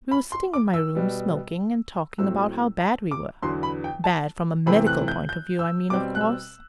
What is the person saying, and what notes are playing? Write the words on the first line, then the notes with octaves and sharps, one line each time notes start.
We were sitting in my room, smoking, and talking about how bad we were--bad from a medical point of view I mean, of course.
B5
C6
D6
E6
B2 G3 B3
A2 F#3 A3 C4 E6
A5
D6
E2 D3 F#3 B3 C6
B5
G5
A5
C3 E3 A3 C4 B5
F#6
G6
G6
E6
B2 G3 C4 D6
F#6
E6